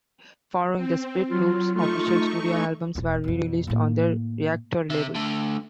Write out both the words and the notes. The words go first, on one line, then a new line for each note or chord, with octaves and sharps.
Following the split Loop's official studio albums were re-released on their Reactor label.
C4
F#3 F4
A3 D#4 F4 C#6
D#1 E2
F2 B2
A2 A#3
C3 E5
D3 A3